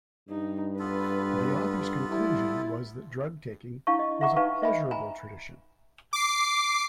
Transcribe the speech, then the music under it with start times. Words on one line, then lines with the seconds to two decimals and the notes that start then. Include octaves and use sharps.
The authors' conclusion was that drug-taking was a pleasurable tradition.
0.29 G2 D#4
0.79 B3 F4 A4 B4
2.10 G3 E4
3.87 D4 E4 F5 A5 C#6
3.99 D#5
4.21 E5 F#5 A#5 C#6 D6
4.36 D#4 B4 F5 G#5 A5 C#6
4.62 D#5 E5 G#5 B5
4.91 G#5 A#5 B5
6.13 D6 C7